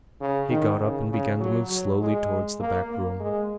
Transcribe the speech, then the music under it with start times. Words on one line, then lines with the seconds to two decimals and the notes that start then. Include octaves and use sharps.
He got up and began to move slowly towards the back room.
0.21 C#3
0.49 D#3
0.80 C#3
1.10 C#3
1.40 F#3
1.70 F#3
2.00 G#3
2.60 A#3
2.91 A#3
3.20 G#3